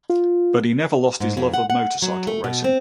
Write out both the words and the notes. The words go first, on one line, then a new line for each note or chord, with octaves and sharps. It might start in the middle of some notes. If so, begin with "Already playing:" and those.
But he never lost his love of motorcycle racing.
F4
G#2
F2
F#5
F#5
F#3
A3
B2
C4